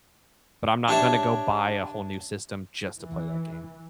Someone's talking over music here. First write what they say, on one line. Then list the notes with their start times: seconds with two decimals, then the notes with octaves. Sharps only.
but I'm not gonna go buy a whole new system just to play that game.
0.88 D4 G4 C#5 E5
2.99 E3